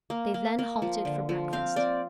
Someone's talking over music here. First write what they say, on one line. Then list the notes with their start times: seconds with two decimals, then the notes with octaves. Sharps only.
They then halted for breakfast.
0.10 A#3
0.34 A#3
0.59 A#3
0.82 F3
1.05 D3
1.29 F3
1.53 C4 F5
1.76 C4 D5